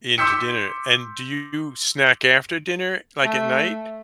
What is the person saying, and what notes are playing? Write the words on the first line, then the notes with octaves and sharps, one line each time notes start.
into dinner. And, do you snack after dinner, like, at night?
C6 D6 E6 G6 B6 C#7
A3